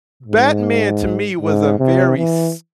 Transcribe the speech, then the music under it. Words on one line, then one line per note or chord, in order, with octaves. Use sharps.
Batman to me was a very s
G#2
G#2
C3
E3